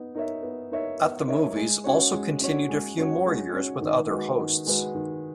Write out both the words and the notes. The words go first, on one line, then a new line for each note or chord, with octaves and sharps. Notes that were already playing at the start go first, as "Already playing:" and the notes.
"At the Movies" also continued a few more years with other hosts.
Already playing: B3 D#4
D#4 A#4 C#5 E5
B3
D#4 A#4 C#5 E5
B3
D#4 A#4 C#5 E5
G#3
C#4 F#4 C#5
G#3
C#4 F#4 C#5
G#3
C#4 F#4 C#5
G#3
C#4 F#4 C#5
D#3
G#3 D#4 F#4 B4
D#3
G#3 D#4 F#4 B4
D#3